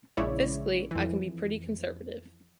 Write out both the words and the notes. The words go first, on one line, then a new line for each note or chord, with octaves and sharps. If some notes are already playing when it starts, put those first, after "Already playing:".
Fiscally, I can be pretty conservative.
A#1 C#3 G#3 E4 C#5 D5
F2 E3